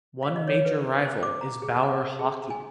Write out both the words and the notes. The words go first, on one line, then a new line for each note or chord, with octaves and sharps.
One major rival is Bauer Hockey.
F5
D#5
C#5
B4
C5
D6
A#5
G#4
F#5
A4
G#4
G#5